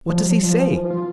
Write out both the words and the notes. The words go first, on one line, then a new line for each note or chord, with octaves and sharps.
What does he say?
F3
G3
F3
F3
E3
F3
F4